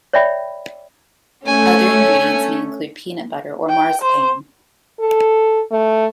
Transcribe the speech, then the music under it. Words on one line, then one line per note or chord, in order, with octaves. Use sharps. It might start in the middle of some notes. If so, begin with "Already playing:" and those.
Other ingredients may include peanut butter or marzipan.
C#5 D5 E5 G5 B5
A3 C#4 G#5
G5
C5
A4
A3